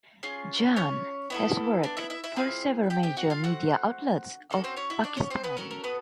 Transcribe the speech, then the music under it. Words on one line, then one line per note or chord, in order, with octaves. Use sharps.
Jan has worked for several major media outlets of Pakistan.
C#4 F4 G#4
C#4 C#5
B3 E4 A4
D4 D5
E4 E5
E4 E5
E4 E5
C4 E4 F4 G#4 F5
G4 G5
G4 G5
F#4 F#5
F4 F5
A3 C4 F#4 F#5
A#3 C#4 F#4 A4
C4 C5
C#4 C#5
E4 E5
D4 D5
C#4 C#5
C4 C5
B3 B4
C#4 F#4 A4 A#4
A#4
B3 B4